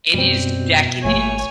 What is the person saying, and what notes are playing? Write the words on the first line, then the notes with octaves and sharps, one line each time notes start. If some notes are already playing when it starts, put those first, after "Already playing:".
it is decadent
F#2 B2 G3 C4
G#1 A#2 A3 C#5 G#5